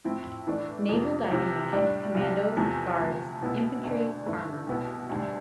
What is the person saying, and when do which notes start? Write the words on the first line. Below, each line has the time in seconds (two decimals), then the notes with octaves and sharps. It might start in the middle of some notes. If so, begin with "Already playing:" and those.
Naval Diving Unit, Commandos, Guards, Infantry, Armour.
0.04 A2 F3 C4 E4
0.47 A2 E3 A3 D4
0.89 F2 C3 F3
1.31 C2 C3 F3
1.73 A2 G3 D4
2.15 C2 C3 G3
2.57 E2 C3 F3 A3
2.99 D2 C3 F3
3.41 C2 B2 B3 E4
3.83 D2 D3 A3 D4
4.26 G2 E3 A3 E4
4.67 C2 B2 B3 E4
5.09 D2 D3 G3